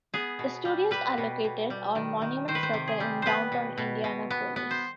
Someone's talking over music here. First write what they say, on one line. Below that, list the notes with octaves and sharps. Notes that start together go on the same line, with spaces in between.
The studios are located on Monument Circle in downtown Indianapolis.
B3 G#4
B2
G3
G3 B4
B2
B2
G3
D#3
D#3
D#3 C5
B4
C5
C3
G#4
G3
B3 B4 C5
B2
B2
B2
B3
B3
C5